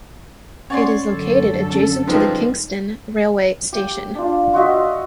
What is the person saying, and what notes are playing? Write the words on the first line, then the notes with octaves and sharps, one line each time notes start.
It is located adjacent to the Kingston railway station.
C#4 C#5 D5 F#5 G#5 C6
F#2 D3 A4
C#4
F3 G3 G#3 D#4 B4 C5
G4
D4 F4
F4 F#4 D#5 E5